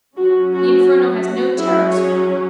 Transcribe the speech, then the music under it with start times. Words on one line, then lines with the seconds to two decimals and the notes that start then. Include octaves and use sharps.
The inferno has no terrors for me.
0.18 F#3 C#4 F#4
0.53 F#4
1.23 F#4
1.57 F#3 C#4 E4 G#4
1.92 G#4 C#5